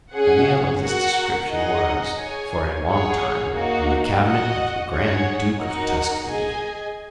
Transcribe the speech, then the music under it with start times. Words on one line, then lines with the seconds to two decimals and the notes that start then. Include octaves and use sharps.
A nail of this description was, for a long time, in the cabinet of the Grand Duke of Tuscany.
0.12 C#4 G#4 F#5
0.80 F#4 A#4 F#5
1.49 D#4 G#4 D#5 F#5
2.16 G#4 C#5 G#5
2.86 G#4 C#5 F#5
3.53 A#3 D#4 F#4
4.22 F#4 D#5 F#5
4.90 G#4 C#5 F#5
5.58 D#4 F#4 A#4 F#5
6.26 G#4 D#5 G#5